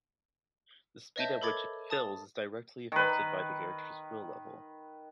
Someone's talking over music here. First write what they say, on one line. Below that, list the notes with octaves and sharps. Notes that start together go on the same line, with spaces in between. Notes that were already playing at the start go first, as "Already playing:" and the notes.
The speed at which it fills is directly affected by the character's will level.
B4 C#5 D#5 E5 A5 G6
A4 A#4 B5 D6 G#6 A6
A5 D#6 A6
D#3 B4